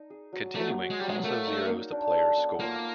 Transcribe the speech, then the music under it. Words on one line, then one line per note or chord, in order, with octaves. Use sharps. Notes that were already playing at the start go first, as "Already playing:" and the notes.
Continuing also zeroes the player's score.
Already playing: D#4
G#4
F#3
F#3 A3
F#3
G#3
F#3 G3
G#3
A3 A#3
D#4
D#4
D4
A4
B3
A#3 F4